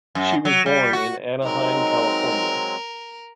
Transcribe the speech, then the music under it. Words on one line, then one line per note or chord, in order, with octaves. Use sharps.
She was born in Anaheim, California.
F#2
F#3
G3
F#4
F#3 G#3 C4 D#4 A#4